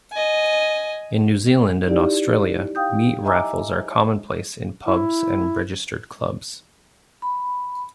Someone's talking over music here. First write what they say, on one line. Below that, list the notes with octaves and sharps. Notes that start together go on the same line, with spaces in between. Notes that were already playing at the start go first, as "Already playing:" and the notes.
In New Zealand and Australia, meat raffles are commonplace in pubs and registered clubs.
D#5 G#5
D#4 E4 G4 D5
F5 G5 D#6 G6
D#5 E5 G#5 A#5 D6 E6
E4
B5